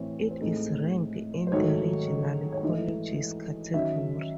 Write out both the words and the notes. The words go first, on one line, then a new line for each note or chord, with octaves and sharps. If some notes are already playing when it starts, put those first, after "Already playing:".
It is ranked in the "Regional Colleges" category.
Already playing: A2 E3 C4 C#5
C5
A2 G#3 C4 D#4 A4
C5
G#2 D#3 F#3 A3 C#5
C#5
G#2 E3 A3 D#5
D#3 F#3 C#4 E5